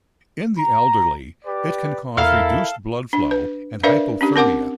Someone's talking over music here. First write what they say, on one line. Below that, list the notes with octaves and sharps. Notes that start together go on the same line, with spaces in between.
In the elderly, it can cause reduced blood flow and hypothermia.
A#5
G4 B4 D5
E2 E4 A4 A#4 F5 F6
D4
B4
D4 A#4 B4 D5 E5 F5
C#4 D4 G4
C4 A#4 F#5 D6